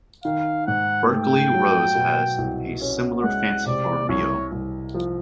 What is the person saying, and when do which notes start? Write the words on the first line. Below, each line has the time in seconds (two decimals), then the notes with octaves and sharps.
Berkeley Rose has a similar fancy for Ryo.
0.24 D#3 F5
0.67 G#2 F#5
1.10 A3 G5
1.53 F#3
1.95 B2
2.38 C2
2.81 C#4
3.23 G#3 F#5
3.66 C3 D5
4.09 C2 C#5
4.52 C2
4.94 F3